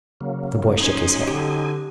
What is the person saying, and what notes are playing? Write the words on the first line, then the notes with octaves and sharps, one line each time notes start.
The boy shook his head.
C#3 F#3 A#3
F#3 C#4 D#4 C5 G#5
D3 G4